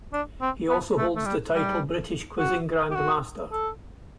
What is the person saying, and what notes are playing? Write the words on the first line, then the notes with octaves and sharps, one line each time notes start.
He also holds the title "British Quizzing Grandmaster".
D4
C4
B3
A3
A3
G3
G3
F#4
G4
F#4
A4